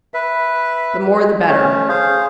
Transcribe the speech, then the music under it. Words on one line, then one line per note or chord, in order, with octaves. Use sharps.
The more the better.
B4 E5
A3 C#4
G#4 C5 F5